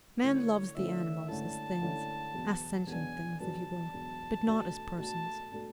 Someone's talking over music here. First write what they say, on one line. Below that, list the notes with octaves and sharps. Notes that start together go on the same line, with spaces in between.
Man loves the animals as THINGS,--as SENTIENT THINGS, if you will,--but not as PERSONS.
D3 A3 C#4 E4 C#5
D3 A3 C#4 E4 E5
D3 A3 C#4 E4 A5
D3 A3 C#4 E4
E2 B2 F#3 B3 D4
E2 B2 F#3 B3 D4 G#5
E2 B2 F#3 B3 D4 A5
E2 B2 F#3 B3 D4
B2 A3 D4 F#4 A4
B2 A3 D4 F#4 A4 A5
B2 A3 D4 F#4 A4